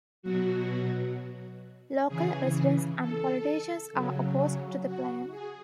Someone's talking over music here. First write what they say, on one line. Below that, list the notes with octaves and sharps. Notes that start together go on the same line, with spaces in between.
Local residents and politicians are opposed to the plan.
B2 F#3 F#4
C#3 E3 G#4
A4
C#3 F#3
F#4
G#4